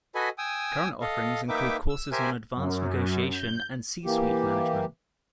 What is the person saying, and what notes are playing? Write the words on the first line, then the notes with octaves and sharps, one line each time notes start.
Current offerings include courses on "Advanced Negotiation" and "C-Suite Management".
F#4 A4 B4 D#5 G#5 B5
G5 G#5 D#6 E6
A4 D#5 F5
A#3 D#4 B4 E5 G5 D6
E6
G4 A#4 C5 E5 G#5
F#2
G6
E3 A#3 G4